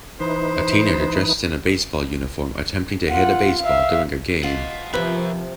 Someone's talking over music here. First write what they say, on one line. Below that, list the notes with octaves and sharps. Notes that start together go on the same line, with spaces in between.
A teenager dressed in a baseball uniform attempting to hit a baseball during a game.
E3 D#4 B4 C5
F4 F#5
E5 F5
F4 D#5 F#5
C3 F3 A#4 B4 E5